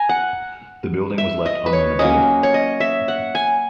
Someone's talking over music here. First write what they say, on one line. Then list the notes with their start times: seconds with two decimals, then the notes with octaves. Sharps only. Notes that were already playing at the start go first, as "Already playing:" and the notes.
The building was left unrenovated.
Already playing: G#5 A#5
0.09 F#5
1.18 E5
1.46 D#5
1.66 B4
1.73 C#5
1.99 F#3 A#3 C#4 D#5
2.43 C#5
2.54 D#5
2.80 E5
3.08 F#5
3.35 G#5